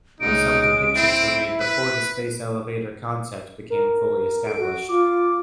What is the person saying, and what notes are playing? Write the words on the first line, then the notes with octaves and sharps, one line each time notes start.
Some depictions were made before the space elevator concept became fully established.
C#2 G#3 D#4 D7
C4 E4
B4
A#4
A4 D7
F#4
F4 D6